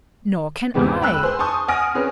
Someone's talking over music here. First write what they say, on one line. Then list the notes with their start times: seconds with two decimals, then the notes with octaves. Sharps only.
"Nor can I."
0.74 E2 G#2 G3 G#3 B3 C4
1.02 G5 B5 E6 F#6
1.21 G#4 B4 C5 G#5 C6
1.39 G#5 A5 C6 C#6 D#6 G6
1.68 F#5 G#5 D#6 F6 A#6 D7
1.94 C4 C#4 G#4 B4 C#5